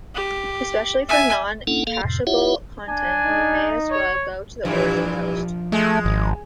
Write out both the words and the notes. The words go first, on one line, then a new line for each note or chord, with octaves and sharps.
Especially for non-cacheable content, you may as well go to the origin host.
G4
E5 G#5
A#3 C#4 D4 E4 A4 F#5
A#3 A4 F5
F2 A2 C3
E4 F4 G4 C#5 E5 F#5
D4 G#5
D#4
C#5
G2 A#2 E3 F3 D4
G#3 A3
G#1